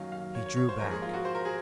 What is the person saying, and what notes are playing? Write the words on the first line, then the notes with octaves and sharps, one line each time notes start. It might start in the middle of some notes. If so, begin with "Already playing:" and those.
He drew back.
Already playing: F#2 D#3 F#3 A#3 F5
F5
C#5
C#5
C#5
C5
G#2 F3 A#3 A#4
G#4
F4
F#4
C5
A#4
G#4